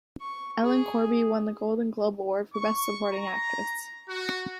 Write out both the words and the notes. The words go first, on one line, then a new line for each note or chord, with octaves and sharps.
Ellen Corby won the Golden Globe Award for Best Supporting Actress.
C#6
G#4
C#6
A#5
F#4